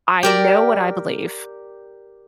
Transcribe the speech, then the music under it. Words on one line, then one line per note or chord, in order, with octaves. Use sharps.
I know what I believe.
G4 A#4 D5